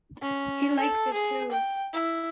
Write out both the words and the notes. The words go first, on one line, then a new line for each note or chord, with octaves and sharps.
He likes it too.
C#4
A4
G#4
G5
E4